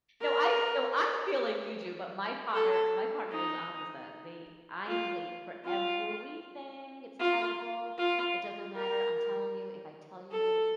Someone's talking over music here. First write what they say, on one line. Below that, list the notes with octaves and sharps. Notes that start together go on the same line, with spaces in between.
No, I no, I feel like you do, but my partner my partner is opposite. They I'm late for everything, it's terrible. It doesn't matter, I'm telling you if I tell you
A#4
A4
D#4
F4
F4
F4
F4
A#4
A4